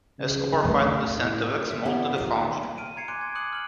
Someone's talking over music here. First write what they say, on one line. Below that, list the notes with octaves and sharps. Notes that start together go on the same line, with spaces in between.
Escobar finally sent a wax mold to the foundry.
C#3
A3
A2
E5
A#3 B3 E4 G4 A#4 C5
D#3 F4 G4
F6 D7 D#7
A#5 G#6 C7 C#7
G#5 C6 D6 F#6 C#7 D7
G#6
D6 D#6 F#6 C#7 F#7
F6 F#7